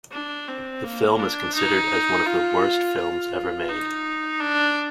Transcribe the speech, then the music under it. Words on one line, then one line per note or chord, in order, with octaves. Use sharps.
The film is considered as one of the worst films ever made.
D4
C4
A#3
D4
D#4
F4
F4
D#4
D4